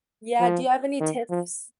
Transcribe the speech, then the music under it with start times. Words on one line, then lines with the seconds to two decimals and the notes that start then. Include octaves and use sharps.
Yeah, do you have any tips?
0.40 F3
1.00 D#3
1.30 F3